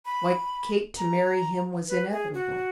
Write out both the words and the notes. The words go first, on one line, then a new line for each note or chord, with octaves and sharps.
Why, Kate, to marry him was inevitable!
B5
A#5
B4
G#4
F#4